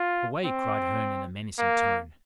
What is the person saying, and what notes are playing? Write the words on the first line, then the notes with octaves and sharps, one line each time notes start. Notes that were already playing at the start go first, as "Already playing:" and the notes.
"Away!" cried Herne in a menacing tone.
Already playing: F4
C4
A#3